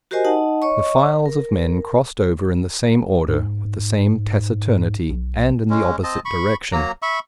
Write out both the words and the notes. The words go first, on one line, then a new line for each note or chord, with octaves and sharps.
The files of men crossed over in the same order, with the same taciturnity, and in the opposite direction.
F#4 G4 A#4 C5 D#5 G#5
D#4 D#5 F#5 A5
C#5 D#5 C#6
A#4
G#2
B1
G#3 C#4
C4 D#5 A5
B5 C#6
F#3 A#3 A#5
E5 B5 C#6